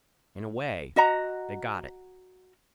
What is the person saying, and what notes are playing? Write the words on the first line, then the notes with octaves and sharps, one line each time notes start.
In a way, they got it.
F#4 D#5 F#5 A#5